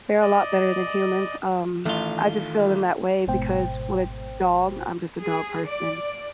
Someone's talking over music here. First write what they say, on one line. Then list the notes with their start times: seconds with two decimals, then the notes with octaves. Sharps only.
They're a lot better than humans, um, I just feel in that way because with a dog- I'm just a dog person-
0.22 D5 D#5
1.85 A1 D#3 A3 F4
3.27 G#1 G#2 B2 C5 G5
5.20 G#4
5.67 D5